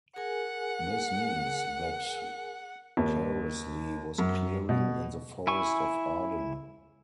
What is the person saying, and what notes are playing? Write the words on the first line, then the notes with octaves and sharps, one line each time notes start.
This means that Keresley was clearing in the Forest of Arden.
G#4 A#4 F#5 G#5
D#2
F#2
B2
E4 G#5 C#6